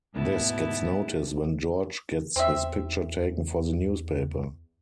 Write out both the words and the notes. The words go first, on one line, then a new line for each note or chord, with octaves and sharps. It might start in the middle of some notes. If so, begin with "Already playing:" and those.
This gets noticed when George gets his picture taken for the newspaper.
D2 G#2 B2 B3 E4 A5
E2 C4 E5